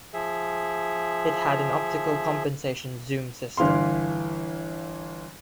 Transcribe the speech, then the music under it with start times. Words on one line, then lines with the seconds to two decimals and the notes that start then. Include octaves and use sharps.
It had an optical compensation zoom system.
0.14 F3 G#4 E5
3.57 G1 E3 F5 C6